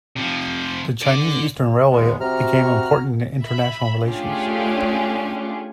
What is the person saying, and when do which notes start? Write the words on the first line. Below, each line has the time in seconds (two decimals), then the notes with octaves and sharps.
The Chinese Eastern Railway became important in international relations.
0.16 C3 F3
1.03 D3 D5
1.91 D#2 G#3 B3
2.21 C3 F#4 A#5 F6
3.42 E5 B5
4.04 A3 C#4 D4 F4 G4 G#4